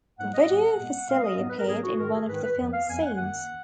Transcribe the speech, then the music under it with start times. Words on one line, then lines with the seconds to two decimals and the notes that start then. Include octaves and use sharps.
The video for "Silly" appeared in one of the film's scenes.
0.19 G#2 F#3 A#3 F#5
0.34 D#5
0.49 G#2 F#3 A#3 F#5
0.79 A#2 G#3 B3
1.09 A#2 G#3 B3 F5
1.24 D#5
1.38 G#2 F#3 B3
1.49 B4
1.59 A#4
1.69 G#2 F#3 B3 G#4
1.83 F#4
1.98 G#2 D#3 G#3 A#4
2.13 G#4
2.28 G#2 D#3 G#3 B4
2.43 B4
2.58 F2 F3 B3
2.73 F5
2.88 F2 F3 B3 G#5
3.03 F#5
3.18 F#2 D#3 A#3 F#5